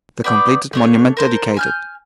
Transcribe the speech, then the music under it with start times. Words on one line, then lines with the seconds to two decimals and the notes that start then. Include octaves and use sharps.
The completed monument dedicated.
0.24 B3 D5 G5
0.73 A3 D4 C#5
1.17 A#4 C5 A5
1.57 G#5 F6 G6